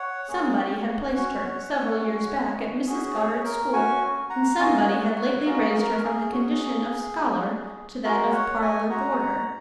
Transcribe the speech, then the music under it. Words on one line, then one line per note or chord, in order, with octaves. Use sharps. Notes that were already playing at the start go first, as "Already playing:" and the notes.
Somebody had placed her, several years back, at Mrs. Goddard's school, and somebody had lately raised her from the condition of scholar to that of parlour-boarder.
Already playing: C#5 F#5
A#3 C#4 G#4
C#4 F#4
C#4 F#4
C#4 F#4 G#4
G#4 C#5
A#4
C#4 F#4 G#5 C#6
F#5 A#5
A#3 C#4 F#4 D#5 G#5
C#5 F#5
C#5 F#5
C#5
A#3 C#4 F#4 A#4 D#5
A#4
A#4
G#4
C#4 F#4
C#4 F#4
G#3 F#4 A#4
C#5 F#5
D#5 G#5
G#3 F#4 F#5 A#5
F#5 A#5